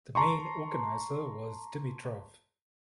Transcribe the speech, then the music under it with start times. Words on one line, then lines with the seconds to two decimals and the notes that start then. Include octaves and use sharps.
The main organizer was Dimitrov.
0.15 A5 A#5 C6 C#6